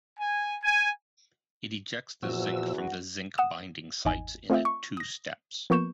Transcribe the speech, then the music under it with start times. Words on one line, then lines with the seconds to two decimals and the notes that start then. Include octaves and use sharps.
It ejects the zinc from the zinc binding sites in a two steps.
0.18 G#5
0.62 G#5
2.23 E2 A#2 F3 F#4 E6
3.38 F#5 D#6 E7
4.05 G#1 E2 D#4 G#5
4.50 A3 C4 F4 D#5 E5 G5
4.65 C#6
4.97 D#6 A#6
5.70 F3 A#3 B3 C#6 G6 E7